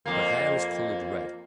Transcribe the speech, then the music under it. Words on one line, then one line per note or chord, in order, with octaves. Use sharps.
Her hair is colored red.
F2 A#3